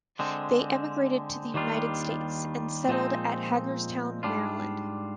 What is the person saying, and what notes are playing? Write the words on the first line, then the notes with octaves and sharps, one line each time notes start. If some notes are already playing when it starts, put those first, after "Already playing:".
They emigrated to the United States, and settled at Hagerstown, Maryland.
D3 G#3 C4
D#2 D#3 G3 D4 F4
A#2 F3 G#3 C4 D#4
G#2 G3 D4 F4